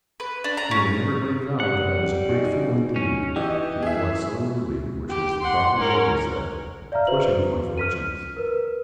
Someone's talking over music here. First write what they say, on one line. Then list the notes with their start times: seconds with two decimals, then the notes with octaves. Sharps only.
Nearly everybody vowed that I was a great fool indeed, to neglect so rudely--which was the proper word, they said--the pushing of my fortunes.
0.20 B4
0.44 D4
0.57 A#5
0.71 C#4
1.60 G3 F#5
2.29 D#4 F#4 G#4
2.96 C#4
3.36 E3 G4 D#5
3.83 G#4 E5
5.09 G4
5.40 F#5 C6
5.78 C#4 A#4
6.92 D5 E5 F5 A#5 F6
7.07 F#4 B4 C5 F#7
7.78 F6 B6 D#7
8.37 A#4 B4